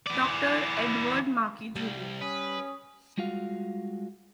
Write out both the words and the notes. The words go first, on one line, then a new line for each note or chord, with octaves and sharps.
Dr. Edward Maki Jr.
E3 D5
C2 G3
C#4 B4 D#6
G3 G#3 F4 F#4 F5